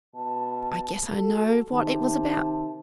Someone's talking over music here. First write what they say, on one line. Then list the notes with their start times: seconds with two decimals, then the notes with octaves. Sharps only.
'I guess I know what it was about.'
0.14 B2 A5
1.13 F#4 A4
1.71 C3 D#3 A5